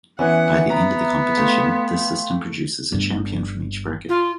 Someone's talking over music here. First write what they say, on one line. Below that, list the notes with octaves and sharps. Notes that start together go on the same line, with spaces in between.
By the end of the competition, this system produces a champion from each bracket.
E3 B3 C#4 E5 F#5
B3 A#5
A3 F5 G5 C6
G1
F4